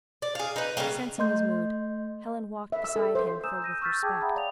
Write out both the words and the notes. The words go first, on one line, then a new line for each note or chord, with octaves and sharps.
Sensing his mood, Helen walked beside him filled with respect.
D5
G#4 F5
D#4 B4
C#3 E3 G3 A#3
A3 D#5 C6 G6
E5
E6
A4
C5
G#5 A#5 D#6 E6 G6 E7
G6 A#6 D#7
C#6 E6 F6 G6 A6 B6
G#4 G5 A5 D6 D#6 G#6
E5 F#5 G5 A#5 B5 D#6
C#5 D5 F5 F7